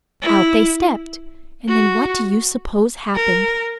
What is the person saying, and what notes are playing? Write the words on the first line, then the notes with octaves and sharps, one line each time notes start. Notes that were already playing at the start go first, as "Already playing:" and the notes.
Out they stepped, and then what do you suppose happened?
E4
F#4
A#4